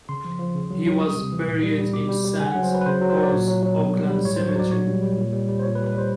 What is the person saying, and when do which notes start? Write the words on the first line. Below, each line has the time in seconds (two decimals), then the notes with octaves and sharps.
He was buried in Saint Paul's Oakland Cemetery.
0.09 C#3 C6
0.25 F3
0.39 F3
0.55 C#3
0.71 F#3
0.86 F#3
1.01 G3 D#6
1.17 C3
1.32 E3
1.48 A#2
1.63 G3
1.78 G3
1.94 B2 D6
2.09 G3
2.25 G3
2.40 C#3 G#5
2.52 F#3 F#5
2.63 C5
2.71 F#3 B4
2.81 B4
2.86 C#3 C5
3.01 F#3
3.10 C5
3.17 F#3
3.23 D5
3.32 A#2 C#5
3.48 F#3
3.63 F#3
3.79 B2
3.94 G3
4.10 G3
4.25 A2 C#5
4.36 F#3 C5
4.48 C#5
4.56 F#3 D5
4.71 A#2 C#5
4.87 G3
5.02 G3
5.17 A#2
5.33 G3
5.48 G3
5.59 C5
5.63 A#2 C#5
5.75 B4
5.79 G3
5.86 B4
5.95 G3 C5